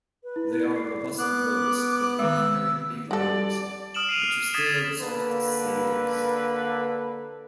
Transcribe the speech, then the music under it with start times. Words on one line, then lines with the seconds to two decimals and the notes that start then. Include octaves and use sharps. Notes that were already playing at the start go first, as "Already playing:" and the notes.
They are robust boats that can carry big loads, but are still swift sailers.
0.24 B4
0.36 E4
0.76 D5 C7
1.18 B3 D6 F#6
2.19 D#3 G#3 E6
3.11 G3 F#4 A4 D5
3.94 D#6 F6 D7 E7 F#7
4.09 C7 D#7 F7
4.22 F6
4.54 D#6 G#6 A6 B6 D#7 E7
5.00 D3 A#3 A4 B4